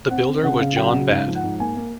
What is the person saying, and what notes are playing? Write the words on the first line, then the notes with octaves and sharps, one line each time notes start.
The builder was John Batt.
C4 F#5
C4
C#3 F#5
C#3 F5
F#3 G5
F#5
C#3
G#2 F5
F3
F#5
G#2
A#3 G#5
A#3